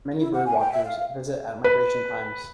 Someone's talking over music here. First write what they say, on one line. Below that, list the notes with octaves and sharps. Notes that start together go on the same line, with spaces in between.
Many Bird watchers visit at migration times.
E4
F#5
G#5
G5
E5
F5
B4